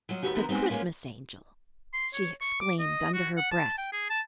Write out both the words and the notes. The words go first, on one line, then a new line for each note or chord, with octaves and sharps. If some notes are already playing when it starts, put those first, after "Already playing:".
"The Christmas Angel!" she exclaimed under her breath.
F#3 F4 D#5
D#2 A3 B3 F#4 G4
D3 D#3 F3 B3 A#4 C5
G#3 B3 C4 D#4
G#3 A#3 B3 C#4 F4
C6
C#5
C#6
D6
D#5
F#4
F#5
A5
G5
G#4
A5